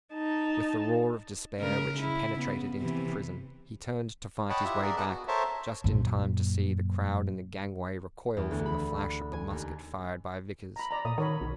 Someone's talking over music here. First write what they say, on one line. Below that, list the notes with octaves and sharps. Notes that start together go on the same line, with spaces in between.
With the roar of despair which had penetrated into the prison, he turned to fight his way back, just in time to see the crowd in the gangway recoil from the flash of the musket fired by Vickers.
D#4 A5
C#3 G#3 A#4
E4
C#3 B3
C3 E3
C#5 D#5 F#5 G5 A5 B5
E4 F4 G4 E5 F#5
G#4 A#4 D5
B3 D#5 F#5 A5 D6
F#4
A4 A#4 C5 C#5 E5 A5
F#2 A#2
E2
D2
B5
G#5
D#2
A#5 B5
D5 A5 A#5
A#2 D#6
D#3 A#4 C#5 B5
B1